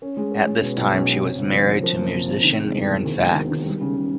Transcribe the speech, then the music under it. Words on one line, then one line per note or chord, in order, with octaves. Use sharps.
At this time she was married to musician Aaron Sachs.
C#4
G#3
C#4
G#3
B2
B1
C#4
C#4
C3
D2
F3
F3
F3
A#3
C3
C3
D#3
G#3
E1
E1
D#2
E1
D#2
D#3
G3
C#3
C#3